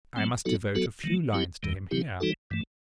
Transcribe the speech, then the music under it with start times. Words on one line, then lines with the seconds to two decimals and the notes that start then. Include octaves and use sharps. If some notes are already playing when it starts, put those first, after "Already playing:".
I must devote a few lines to him here.
0.16 F#3 A3 C4
0.45 F#3 B3 D#4 F#4 A4
0.75 F#3 B3 F#4 A4
1.04 D#3 F#3 A3
1.33 F#3 C4 E4 G4
1.63 E2 D#3 G3
1.91 C3 F#3 C4 E4 G4
2.20 E3 G3 D#4 F#4 A4
2.51 G2 E3 A3